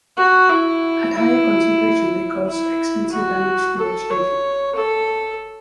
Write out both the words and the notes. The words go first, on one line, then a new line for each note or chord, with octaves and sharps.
At higher concentrations they cause extensive damage to vegetation.
F#4
E4
E4
E4
F#4
A4
C#5
A4